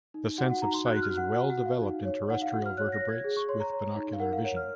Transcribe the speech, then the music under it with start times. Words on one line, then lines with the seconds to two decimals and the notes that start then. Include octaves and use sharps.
The sense of sight is well developed in terrestrial vertebrates with binocular vision.
0.14 D#4
0.38 F#4 F#5
0.51 F#5
0.62 D#4 A#5
0.74 C6
0.86 F#4 F#6
0.97 F#6
1.02 F6
1.10 F#4
1.17 F#5
1.34 F#4 F#5
1.50 F#5
1.57 F#4
1.66 F5
1.82 D#4
2.05 C#5
2.30 D#4 F#5
2.42 F5
2.53 F#4 F#5
2.66 F6
2.77 C#5 F#6
2.92 A#6
3.01 C#5
3.09 G#6
3.24 G#4
3.37 C#6
3.48 C#5 C6
3.60 A#5
3.73 C#5
3.96 D#4
4.13 F5
4.20 A#4 F#5
4.33 F5
4.44 C#5 F#5
4.56 F6